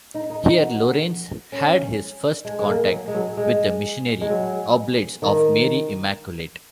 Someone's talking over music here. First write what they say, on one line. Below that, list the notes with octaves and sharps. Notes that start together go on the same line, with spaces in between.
Here Lorenz had his first contact with the Missionary Oblates of Mary Immaculate.
D#4
D#4
D#4
F#4
C#4
G#3
G#3
A#3
F#3
G#3
F#3
G#3
G#3
F#3
D#3